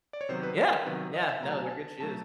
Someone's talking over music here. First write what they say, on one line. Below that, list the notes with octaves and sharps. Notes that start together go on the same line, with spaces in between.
Yeah. Yeah. No, they're good shoes.
D5
C#5
C3 D#3 F#3 B3 C5
B4
A#4
A#4
C3 D#3 F#3 B3 B4
D#5
E5
B2 F#3 A3 A#5
A5
G#5
A5
B2 F#3 A3 A5